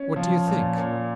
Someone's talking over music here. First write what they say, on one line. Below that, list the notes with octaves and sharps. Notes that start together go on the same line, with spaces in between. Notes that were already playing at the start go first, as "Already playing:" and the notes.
What do you think?
Already playing: C#4
F3
A#2
A#2